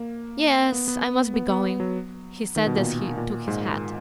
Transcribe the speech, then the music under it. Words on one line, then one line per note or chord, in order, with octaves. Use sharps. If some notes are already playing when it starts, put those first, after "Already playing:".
"Yes, I must be going," he said as he took his hat.
Already playing: A#3
B3
B3
B3
B3
F#3
D#3
B2
A#2
A#2
G#2